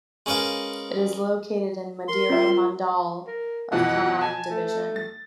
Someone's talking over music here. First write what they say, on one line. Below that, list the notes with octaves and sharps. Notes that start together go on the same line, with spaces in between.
It is located in Madhira mandal of Khammam division.
G#3 C#4 A#4 B4 F5
A#4 C6
C4 F4 A#4 E5
A#4
F2 B2 E3 F#5
G#5 A5
A3
A6